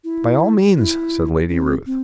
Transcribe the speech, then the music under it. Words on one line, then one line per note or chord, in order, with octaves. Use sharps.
"By all means," said Lady Ruth.
E4
E4
C4
C4